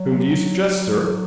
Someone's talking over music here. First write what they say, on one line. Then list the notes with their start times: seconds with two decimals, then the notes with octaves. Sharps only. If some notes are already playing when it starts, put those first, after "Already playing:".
"Whom do you suggest, sir?"
Already playing: F#3
0.57 F#3